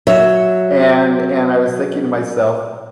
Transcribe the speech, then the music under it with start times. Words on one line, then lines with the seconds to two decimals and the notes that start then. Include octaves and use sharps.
And and, I was thinking to myself,
0.07 F#3 C#5 E5